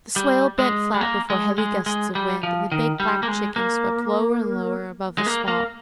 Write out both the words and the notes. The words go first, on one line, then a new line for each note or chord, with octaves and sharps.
The swale bent flat before heavy gusts of wind, and the big black chicken swept lower and lower above the swamp.
G3
G#3
G#3
A#3
G#3
G#3
G#3
G3
F3
D#3
G3
A#3
G#3
A#3
G#3
A#3
A#3